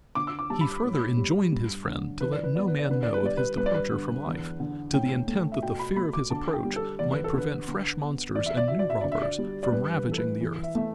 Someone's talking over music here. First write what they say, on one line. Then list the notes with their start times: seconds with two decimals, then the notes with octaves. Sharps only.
He further enjoined his friend to let no man know of his departure from life, to the intent that the fear of his approach might prevent fresh monsters and new robbers from ravaging the earth.
0.15 D3 D6
0.27 E6
0.39 D6
0.50 G3 A5
0.61 B5
0.84 A2
1.17 G3
1.52 G2
1.87 D3
2.20 E3 B4
2.32 D5
2.43 B4
2.55 B3 D5
2.68 B4
2.79 D5
2.89 D3 B4
3.03 D5
3.14 B4
3.23 G3 D5
3.37 B4
3.57 G2 B4
3.66 D5
3.74 B4
3.92 D3
4.26 E2
4.60 D3
4.94 A2 G5
5.27 A3
5.52 E5
5.62 B2 G5
5.79 B5
5.96 A3 B5
6.13 D6
6.30 D3 A5
6.54 G5
6.65 G3
6.76 A4
6.99 E2 D5
7.12 B4
7.24 A4
7.33 D3 B4
7.68 D3
8.01 B3
8.36 E2 D5
8.46 E5
8.57 D5
8.68 B2 E5
8.79 D5
8.90 E5
9.01 D3 D5
9.12 E5
9.22 D5
9.38 G3
9.63 D5
9.72 G2 B4
9.95 B4
10.07 E3 A4
10.18 B4
10.40 E3
10.63 E5
10.75 A3 E5